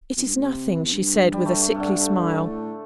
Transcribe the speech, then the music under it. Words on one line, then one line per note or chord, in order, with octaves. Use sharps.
'It is nothing,' she said, with a sickly smile.
E2
G2
A2
C3
E2
G2
G3
A3
A3
C3
D3
A2